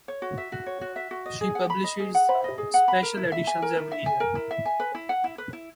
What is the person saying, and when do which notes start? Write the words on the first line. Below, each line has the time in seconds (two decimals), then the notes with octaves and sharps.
She publishes special editions every year.
0.08 C#5
0.22 F#4
0.38 E5
0.52 F#4
0.66 C#5
0.81 F#4
0.96 E5
1.11 F#4
1.26 D#5
1.41 G#4
1.55 F#5
1.70 B5
1.84 D#5
2.00 G#4
2.15 F#5
2.29 B5
2.44 D#5
2.58 G#4
2.74 F#5
2.88 B5
3.03 A#4
3.17 E4
3.32 E5
3.47 G#5
3.62 A#4
3.77 E4
3.92 E5
4.06 G#5
4.20 A#4
4.35 E4
4.51 E5
4.65 G#5
4.80 B4
4.95 E4
5.09 F#5
5.24 E4
5.38 B4
5.53 E4